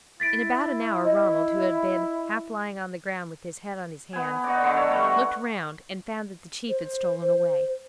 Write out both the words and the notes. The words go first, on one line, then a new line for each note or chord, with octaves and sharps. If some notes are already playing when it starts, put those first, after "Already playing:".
In about an hour Ronald, who had been half lying on the ground with his head on his hands, looked round and found that the chief had stolen away.
E4 A6 B6 D7
D#5
B3 G#5
D#4 F#4 D5
D3 D#3 F#3 D5
A4 C#5 F5
G3 A3 F#4
F#5 C6
C5